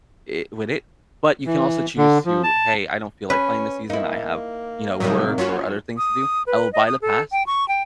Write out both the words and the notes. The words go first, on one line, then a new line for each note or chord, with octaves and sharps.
it with it, but you can also choose to, "Hey, I don't feel like playing this season. I have, you know, work or other things to do. I will buy the pass,
E3
D3
F3
A5
C#4 B4
A#3 D#4 E4
A2 C3 D#3 F#3 G3
F#3 C#4 F4 F#4 C#5
D#6
B4
D#5
D#6
A4
G5
C#6
G5